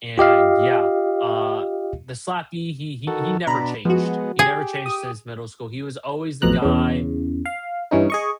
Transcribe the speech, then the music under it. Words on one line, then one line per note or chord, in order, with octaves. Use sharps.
and yeah, uh, the slappee, he he he never changed, he never changed since middle school, he was always the guy,
F4 G4 D#5 F5
D#3 F#4 A4
B2 D4 A#5 B5
F3 G#3 B3 F#4
G4 G#4
D#6
A1 F2 B2 A#5 F#6
E2 C#3
F5
G2 E3 C#4 D#4
G#4 D#5 C#6